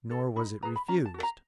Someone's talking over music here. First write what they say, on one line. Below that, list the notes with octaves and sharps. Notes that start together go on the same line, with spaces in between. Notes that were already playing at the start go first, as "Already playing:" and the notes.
Nor was it refused.
A4
D#4 B5
G#4 B4 A#5
B5
C#4 A#5
A5
F#4 A4
A#5